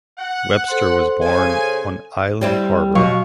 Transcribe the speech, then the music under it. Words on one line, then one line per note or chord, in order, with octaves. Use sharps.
Webster was born on Island Harbour.
F#5
A4 C5 C6
C#3 G#5
G3 C4 E4
B2 F#3 F5 C#6